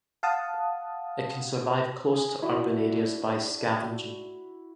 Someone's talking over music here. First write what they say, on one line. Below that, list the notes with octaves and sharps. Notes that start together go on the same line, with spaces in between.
It can survive close to urban areas by scavenging.
F5 F#5 A5 D#6
G#4
D4 E4 F#4